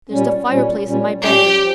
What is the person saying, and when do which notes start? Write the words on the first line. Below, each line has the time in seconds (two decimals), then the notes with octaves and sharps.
There's the fireplace in my bedroom.
0.10 A#2 G3 C#4
0.47 A#2 G3 C#4
0.84 A#2 G3 C#4
1.21 A#2 G3 C#4 G4
1.59 F3